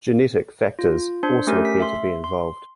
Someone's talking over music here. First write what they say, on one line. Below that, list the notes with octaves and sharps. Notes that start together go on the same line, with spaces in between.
Genetic factors also appear to be involved.
F4
D4 C5 C6
A3 C#4 G4 A#4
B6
E5 C6
C6